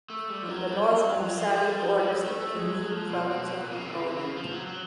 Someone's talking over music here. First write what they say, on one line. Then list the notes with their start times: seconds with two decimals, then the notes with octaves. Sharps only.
In the north, Omusati borders the Cunene Province of Angola.
0.10 A3
0.30 G3
0.42 F3
0.49 F#3
0.71 G3
0.82 G3
0.90 F#3
1.20 F3
1.29 F#3
1.37 F3
1.50 G#3
1.65 G3
1.80 F3
2.00 G3
2.10 F#3
2.25 A3
2.40 A3
2.55 G#3
2.71 F#3
2.91 F3
3.10 B2
3.30 B2
3.46 B2
3.61 A#2
3.72 C3
3.76 C#3
3.86 D#3
3.91 D3
4.00 C#3
4.06 C3
4.16 D3
4.20 C#3
4.36 F3
4.52 F#3
4.67 F#3